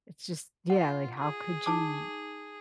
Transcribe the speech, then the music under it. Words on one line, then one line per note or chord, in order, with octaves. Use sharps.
it's just yeah, like, how could you
F4 F#5
G#4
D#4 A5 D6